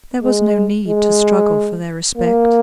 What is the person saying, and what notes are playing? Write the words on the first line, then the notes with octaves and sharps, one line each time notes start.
There was no need to struggle for their respect.
G#3
G#3
A#3